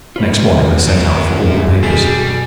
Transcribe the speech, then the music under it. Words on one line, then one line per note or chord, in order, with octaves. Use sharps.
Next morning I sent out for all the papers.
D2 F4 B4 C#5
F#2 A#2
B2 G3 G#4 A4